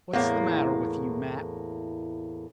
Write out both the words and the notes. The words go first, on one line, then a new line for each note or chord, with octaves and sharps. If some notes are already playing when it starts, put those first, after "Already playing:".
What's the matter with you, Matt?
E2 A2 A#3